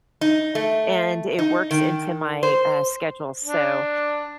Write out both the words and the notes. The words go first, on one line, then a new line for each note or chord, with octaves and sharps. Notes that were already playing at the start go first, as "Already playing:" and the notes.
and it works into my, uh, schedule, so,
D#4
A3
D#4
D#3
C5
D4